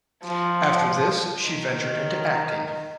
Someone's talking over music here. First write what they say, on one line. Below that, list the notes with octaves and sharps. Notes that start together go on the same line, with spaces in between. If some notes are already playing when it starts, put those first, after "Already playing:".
After this she ventured into acting.
F3
D#3